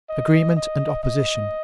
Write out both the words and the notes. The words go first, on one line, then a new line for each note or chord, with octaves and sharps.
Agreement and Opposition.
D#5
D#5
D#5